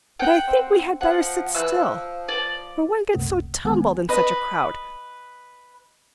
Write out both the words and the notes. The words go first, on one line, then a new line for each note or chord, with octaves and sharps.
But I think we had better sit still, for one gets so tumbled in such a crowd!
F#5 G5
C4
F3 F#5
E3 E6 F#6
F3
D5
C2 F#2 C3 A3
B1 D#3 G#3 B3 F#5 G#5
B4 D#5